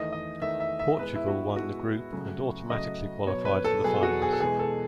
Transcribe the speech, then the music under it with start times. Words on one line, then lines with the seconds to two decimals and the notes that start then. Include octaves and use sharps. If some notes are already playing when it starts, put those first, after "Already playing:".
Portugal won the group and automatically qualified for the finals.
Already playing: E2 D#3 A3 D#5
0.12 D#5
0.42 E2 D#3 A3 E5
0.60 E5
0.79 E5
0.99 A2 G#3 B3 B4
1.16 E4
1.28 F#4
1.56 A2 G#3 B3 F#4
2.12 C#3 F#3 A3
2.70 C#3 F#3 A3 D#5
3.26 B2 F#3 B3 C#5
3.45 B4
3.65 A4
3.84 B2 F#3 B3 G#4
4.03 F#4
4.22 G#4
4.33 A4
4.40 E2 B2 G#3 G#4
4.59 A4